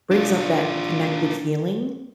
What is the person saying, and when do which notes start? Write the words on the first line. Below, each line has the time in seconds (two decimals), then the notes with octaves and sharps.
brings up that connected feeling,
0.11 D4 F4